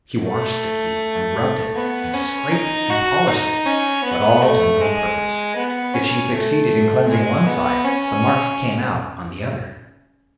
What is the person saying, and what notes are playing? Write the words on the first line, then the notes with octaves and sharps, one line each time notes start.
She washed the key and rubbed it, and scraped it and polished it, but all to no purpose, if she succeeded in cleansing one side, the mark came out on the other.
A3
B3
C#4
D#4
F#4
D#4
C#4
B3
A3
G#3
B3
C#4
A3
G#3
B3
C#4